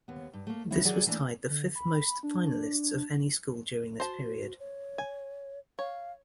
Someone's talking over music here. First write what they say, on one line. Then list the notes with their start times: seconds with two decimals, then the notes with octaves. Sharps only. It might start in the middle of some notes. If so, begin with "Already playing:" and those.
This was tied the fifth most finalists of any school during this period.
0.08 D#2 B3
0.33 G2
0.47 A3 A#3
0.71 D#3 F#3 B3 C#4 E4
0.84 D#3 E3 F#3 F#4 G#4 D5
1.07 E3 A3 A#3 D4 D5
1.50 D3
1.75 B5
2.23 D4
4.00 F#4 C5 A5
4.60 C#5
4.98 G#5
5.79 C#5 F5